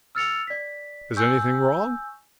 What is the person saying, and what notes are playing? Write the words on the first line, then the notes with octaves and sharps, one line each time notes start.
"Is anything wrong?"
E6 F6 A6 C#7 F7
D5 B6
G#5 C#6 E6 G6